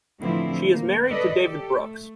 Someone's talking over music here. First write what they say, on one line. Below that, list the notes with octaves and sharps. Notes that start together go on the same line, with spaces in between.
She is married to David Brooks.
A2 D3 E3 F3 C4 E4
A#3
A4 B4 D5 D#5
G4 A4
A3